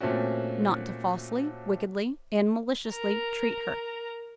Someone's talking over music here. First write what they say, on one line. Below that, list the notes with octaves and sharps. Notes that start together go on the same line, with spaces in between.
Not to Falsely, Wickedly and Maliciously treat her.
A#2 A3 C4 C#4 F#4
A#4 A#5